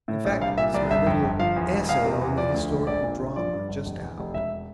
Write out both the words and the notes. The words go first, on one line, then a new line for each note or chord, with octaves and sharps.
In fact, it's my little "Essay on the Historical Drama," just out.'
A2
A#1
C2 F5
A#2 E5
C2 D5
G1 E5
F2
G1
F3 F5
E2
E1
E2 F5
C3
E2
F3 D5
D2
E1
A#1 D5
A#2
A#1
F3 D5
G2
G1
F1
E2
F1
E1 E5